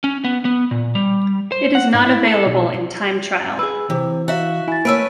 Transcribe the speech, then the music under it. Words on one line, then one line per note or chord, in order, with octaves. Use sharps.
It is not available in Time Trial.
C#4
B3
B3
A#2
G3
C5
F#5
G#2
E4
A4
B1
G#4 B4 E6
C3 E3
E4 F#4 E5 F5
E4 G#5 A6
A3 A#3 C#4 B4 E6 D7